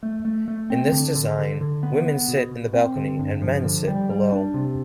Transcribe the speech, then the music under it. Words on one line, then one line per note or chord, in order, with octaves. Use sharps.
In this design, women sit in the balcony and men sit below.
A3
A3
A3
C4
D3
D3
D3
D3
B3
B3
B2
B2
C4
D3
G2
F3
D3
G3
G3
D4
C3